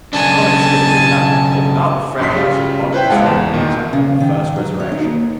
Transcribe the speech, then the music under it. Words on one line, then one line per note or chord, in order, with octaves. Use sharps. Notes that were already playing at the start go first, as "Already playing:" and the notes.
Comic-strippy as ever, but without the freshness and Bond-persona detail of the first resurrection.
C#3 F#3 D4 G#5 A5
A#1 F#2 F#3 C6 B6
C#3 G3 F4
E4 B4 C5 G5
C#2 G#3 F5 F#5 A5
E2
A#2 D#3
C#3
D#3
F#3
C#5
D#4
D#2